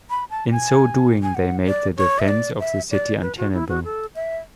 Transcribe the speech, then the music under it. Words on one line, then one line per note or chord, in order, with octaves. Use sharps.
In so doing they made the defence of the city untenable.
B5
A5
G#5
G#5
F#5
D5
C#5
E5
D5
E5
D5
B4
F#4
E4
F#4
A4
E5